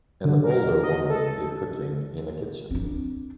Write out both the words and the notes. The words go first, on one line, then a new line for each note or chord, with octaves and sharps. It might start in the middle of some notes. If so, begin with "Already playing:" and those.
An older woman is cooking in a kitchen.
D3
A#4
D#5
A4
C4 D4